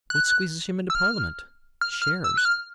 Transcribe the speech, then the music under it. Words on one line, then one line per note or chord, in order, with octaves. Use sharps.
What squeezes him into Parliament? Shares.
F#6
E6
F6
F6
F6
E6
F#6
F6